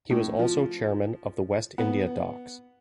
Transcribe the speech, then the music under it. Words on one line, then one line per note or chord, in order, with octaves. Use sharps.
He was also chairman of the West India Docks.
A2
F3
B3